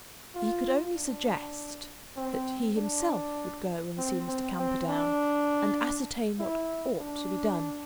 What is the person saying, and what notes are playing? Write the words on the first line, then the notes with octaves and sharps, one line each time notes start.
He could only suggest that he himself would go and see Mr. Camperdown, and ascertain what ought to be done.
F4
D4
C4
D4
C4
C4
C4
D4
E4
D4